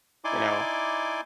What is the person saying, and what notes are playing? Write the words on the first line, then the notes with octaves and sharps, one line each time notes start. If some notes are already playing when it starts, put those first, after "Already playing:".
you know?
D#4 E4 D5 G#5 C6 D6